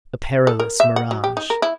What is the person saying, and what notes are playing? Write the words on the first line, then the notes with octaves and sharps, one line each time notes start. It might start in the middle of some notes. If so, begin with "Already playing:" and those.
A perilous mirage!
A4
A#4
E5
F#5
F#3
G4
D#4
A#4
E4